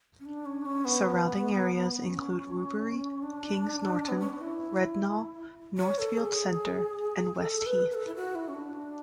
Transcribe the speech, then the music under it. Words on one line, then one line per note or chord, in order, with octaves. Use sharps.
Surrounding areas include Rubery, Kings Norton, Rednal, Northfield centre and West Heath.
C#4
D4
C#4
D4
C#4
B3
C#4
D4
B3
C#4
D4
E4
C#5
A4
G#4
A4
B4
B4
A4
E4
F#4
E4
C#4
D4